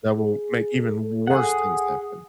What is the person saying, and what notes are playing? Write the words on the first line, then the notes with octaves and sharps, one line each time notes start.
that will make even worse things happen
G#4
A4
G#4 F#5